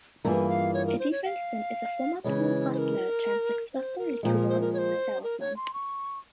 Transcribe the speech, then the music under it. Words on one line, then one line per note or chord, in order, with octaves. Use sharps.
Eddie Felson is a former pool hustler turned successful liquor salesman.
G2 E3 A#3 F4 G#4 G#5 A#5
F5
C#5
A#4
C5
C#5
F5
C#3 E3 G#3 C#5
C5
A#4
C5
A#4
A#2 F3 G#3 C5
A#4
C5
A#4
C#5
C5
A#4
C#5
C6
C#6